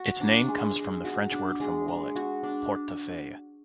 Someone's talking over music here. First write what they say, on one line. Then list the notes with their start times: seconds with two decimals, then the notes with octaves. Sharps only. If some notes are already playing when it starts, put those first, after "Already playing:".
Its name comes from the French word for wallet: "portefeuille".
Already playing: F#4
0.20 D4
0.48 G#3
0.76 G#3
1.05 F#4
1.32 D4
1.60 G#3
1.88 G#3
2.15 F#4
2.43 D4